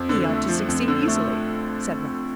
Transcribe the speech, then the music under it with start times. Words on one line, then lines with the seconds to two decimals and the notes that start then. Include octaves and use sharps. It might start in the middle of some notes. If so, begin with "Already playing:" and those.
"He ought to succeed easily," said Ralph.
Already playing: F2 F3
0.09 D3
0.29 A3
0.49 F3
0.68 F2
0.88 D3
1.08 A3